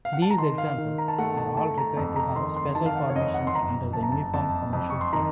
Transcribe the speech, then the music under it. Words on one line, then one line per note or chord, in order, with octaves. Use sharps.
These example are all required to have special formation under the Uniform Commercial Code.
F5
F#5
A5
A#5
D#3 C6
F5
D#3
A#5
A5
A3 F#5
A5
A3 A5
A#5
F2 A5
A#5
D#3 C6
C6
D#3 A5
F5
F#5
C#5
F2 D#5
F#5
C6
F#1 A#5
F#1 A5
A#5
A5
F2 A5
F2
C#6
C6
D#3 A#5